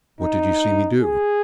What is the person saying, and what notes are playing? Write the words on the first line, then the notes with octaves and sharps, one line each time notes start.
"What did you see me do?"
D#4
G#4